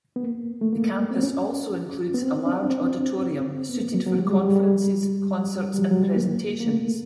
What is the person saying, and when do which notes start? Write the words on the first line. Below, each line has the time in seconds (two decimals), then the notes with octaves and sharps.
The campus also includes a large auditorium suited for conferences, concerts and presentations.
0.16 B3
0.23 A#3
0.61 A3
0.73 A#3
1.11 C4
1.23 C#4
2.14 B3
2.22 C4
2.46 D4
2.70 C4
3.69 B3
3.81 A#3
3.94 F#3
4.06 F#3
4.19 G3
4.27 G#3
4.31 G3
4.43 G3
4.56 G3
5.74 G3
5.79 F#3
5.91 F#3
6.03 G3
6.16 A#3
6.60 A#3
6.65 A3